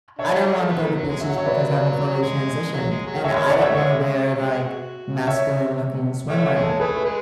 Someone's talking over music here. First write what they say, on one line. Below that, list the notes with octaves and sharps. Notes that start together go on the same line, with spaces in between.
I don't wanna go to beaches because I haven't fully transitioned, and I don't wanna wear, like, masculine-looking swimwear.
D4 C#5 E5
F#3
G#3
A3
B3
A3
F#3
G#3
F#3 E5
F#5
C#5 E5
B4 D5
B4 D5
G#3
F#3
G#3
F#3
G#3 C#5 E5
C#5 E5
D5 F#5
A3 C#5 E5
G#3 C#5 E5
G#3
F#3
G#3
G#3
F#4
C#5 E5
A3 C#5 E5
C#5 E5
G#3
A4 C#5
A3 G#4 B4
G#4 B4
G#3